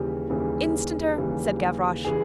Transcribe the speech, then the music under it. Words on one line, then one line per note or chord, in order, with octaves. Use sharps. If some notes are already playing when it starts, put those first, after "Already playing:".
"Instanter," said Gavroche.
Already playing: D#2 C#3 E3 G3 G4
D#2 C#3 E3 G3
D#2 C#3 E3 G3
C#3 E3 G3 G#4